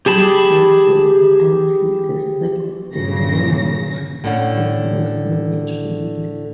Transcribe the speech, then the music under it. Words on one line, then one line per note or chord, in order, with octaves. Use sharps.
All goes well, until the sack of diamonds is lost on a train.
G4 G#4 A5 B5
G2 A#2 C#3 F#3 A#6
A2 D3 C#4